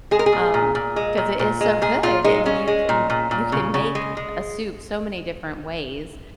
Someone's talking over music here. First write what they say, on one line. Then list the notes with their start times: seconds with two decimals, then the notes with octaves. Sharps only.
um, 'cause it is so good, and you can you can make a soup so many different ways
0.11 G#3 G#4
0.19 A#4
0.26 G#4
0.32 A#2
0.54 A#2
0.75 A#2
0.96 G#3
1.18 A#2
1.39 A#2
1.61 G#3
1.82 A#2 G#4
2.03 A#2 F4
2.24 G#3 D#4
2.45 G#3 C#4
2.67 G#3
2.89 A#2
3.10 A#2
3.31 A#2
3.52 C#3
3.74 C#3
3.95 G#3
4.17 G#3